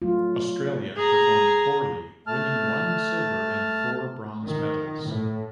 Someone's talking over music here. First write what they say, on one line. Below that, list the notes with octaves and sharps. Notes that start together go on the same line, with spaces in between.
Australia performed poorly, winning one silver and four bronze medals.
F#3 A3 F4
G#4 A#5
A3 A5 F6
D#3
A2